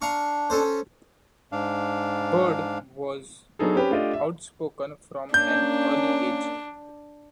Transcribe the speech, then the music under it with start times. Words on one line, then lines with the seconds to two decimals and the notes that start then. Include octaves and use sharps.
Bird was outspoken from an early age.
0.02 D4 F5 A#5 C#6
0.50 C#4 A4 C5
1.52 G#2 D4 F5
3.59 F#3 B3 D4 D#4 G#4 A4
3.75 C4 C#4 G4 G#4 B4
3.91 A3 D4 F4 G4 D5 D#5
4.13 E5
5.34 A#3 C#4 D4 G6